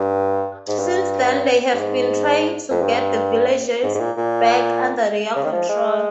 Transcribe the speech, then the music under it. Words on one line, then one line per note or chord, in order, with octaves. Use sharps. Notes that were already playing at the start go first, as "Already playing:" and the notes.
Since then they have been trying to get the villages back under their control.
Already playing: G2
G#2
G2
G2
G#2
F2
G2
G#2
G#2
A#2
A#2
C#3
D#3
F3
G#3